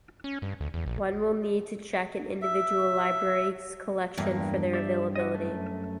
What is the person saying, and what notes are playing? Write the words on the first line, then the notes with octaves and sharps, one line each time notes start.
One will need to check an individual library's collection for their availability.
C#4
G2
D2
E2
A#1
E5
E2 G2 A#3
G4 D5 E5
F#4 D#5
F#2 A3